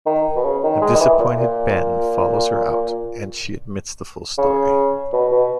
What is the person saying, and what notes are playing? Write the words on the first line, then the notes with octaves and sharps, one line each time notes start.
A disappointed Ben follows her out and she admits the full story.
D#3
B2
C#3
D#3
G#3
D#3
E3
A#2
A#2
C#3
B2
B2